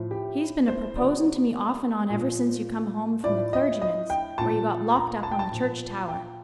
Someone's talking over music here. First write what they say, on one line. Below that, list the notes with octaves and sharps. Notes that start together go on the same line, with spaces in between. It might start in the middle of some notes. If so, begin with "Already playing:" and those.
He's been a-proposin' to me off and on ever since you come home from the clergyman's where you got locked up on the church-tower.
Already playing: A2 F3
G4
C5
C3 F3 D5
A#2
F3
A2 F3 D5
D#5
D#5
G5
A#2 F3 A5
A#5
A5
G5
A5
A#2 F3
G5